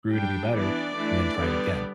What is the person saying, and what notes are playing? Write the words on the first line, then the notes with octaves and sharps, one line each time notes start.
grew to be better, and then tried again.
G3 D4 G5
E3 B3 D4 D5
E3 A3 D4
D3 G3 B3